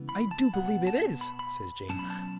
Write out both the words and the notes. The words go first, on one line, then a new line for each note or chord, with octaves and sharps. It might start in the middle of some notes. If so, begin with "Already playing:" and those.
"I do believe it is," says Jane.
Already playing: C#2 C#3 E3 B3
B5
A5
B2 B3 F#5
A5
B5
B5
B2 F#3 C#4 A5
B5
A5